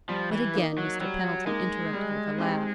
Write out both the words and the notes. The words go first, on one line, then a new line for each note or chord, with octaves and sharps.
But again Mr. Pendleton interrupted with a laugh.
F3 G3
E3
A#3 D#4
F#3
F#3 G3
G#3 A#3 D#4
G3
C4 D#4 G4